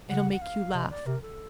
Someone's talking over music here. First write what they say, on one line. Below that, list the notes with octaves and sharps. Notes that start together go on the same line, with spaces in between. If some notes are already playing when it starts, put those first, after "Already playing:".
It'll make you laugh.
C#3 F#5
F#5
F5
C3 D#5
D5
C3 A#4
A4